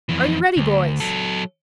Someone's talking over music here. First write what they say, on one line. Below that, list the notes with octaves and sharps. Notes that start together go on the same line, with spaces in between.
"Are you ready, boys?"
F2 E3
D2
F#3 A4